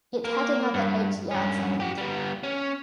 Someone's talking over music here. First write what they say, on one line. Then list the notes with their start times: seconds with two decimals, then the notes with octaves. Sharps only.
It had another eight yards on it.
0.24 A#3
0.74 G2
1.31 G2 C#4
1.80 F#4 G4
1.98 G3 B3
2.43 C#4